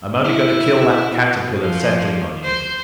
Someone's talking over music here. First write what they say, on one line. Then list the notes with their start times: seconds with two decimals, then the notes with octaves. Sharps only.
I am only going to kill that caterpillar settling on you.
0.24 E4
1.14 B2
1.59 F3
2.43 C5